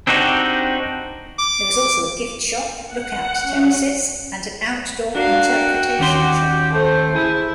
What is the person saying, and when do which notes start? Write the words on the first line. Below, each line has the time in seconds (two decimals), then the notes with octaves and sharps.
There is also a gift shop, lookout terraces, and an outdoor interpretation trail.
0.07 C4 D4 D#4 F#4 G4
1.39 D6
2.85 F#5
3.42 C#4
5.15 D4 F#4 A#4 F5 F#5
5.52 G5
5.99 D#2 C#4 G4 C6
6.71 A3 C5 G5
7.16 E4 G#4